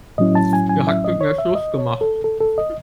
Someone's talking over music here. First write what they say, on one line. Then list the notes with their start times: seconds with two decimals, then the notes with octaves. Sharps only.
Sie hat mit mir Schluss gemacht.
0.18 A2 F#3 C#4 E4 D#5
0.35 A5
0.53 G#5
0.69 G#5
0.87 E5
1.04 D#5
1.21 C#5
1.38 E5
1.55 D#5
1.78 C#5
2.01 A4
2.24 A4
2.41 A4
2.58 D#5